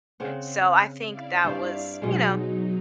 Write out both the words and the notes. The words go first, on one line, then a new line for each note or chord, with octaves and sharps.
so I think that was, you know,
C#3 C4 F#5
E4 D5 F5
G2 C5
B2 F#3 G#3 D#4